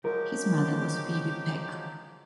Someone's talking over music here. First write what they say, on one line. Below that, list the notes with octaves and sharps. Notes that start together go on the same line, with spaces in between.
His mother was Phebe Peck.
F3 F#3 G#3 G4 A#4